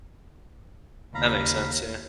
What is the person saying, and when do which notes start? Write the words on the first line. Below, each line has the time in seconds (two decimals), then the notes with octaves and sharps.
That makes sense. Yeah.
1.15 D#2 C#3 F5 A#5 B5